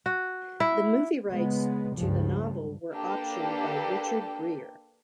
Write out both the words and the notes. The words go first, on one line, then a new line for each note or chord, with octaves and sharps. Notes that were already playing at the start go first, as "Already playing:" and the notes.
The movie rights to the novel were optioned by Richard Gere.
F#4
E4
C#3 G#3 B3
C#2 G2 C#3 F3
A#3 D4 G4 A4 B4 G5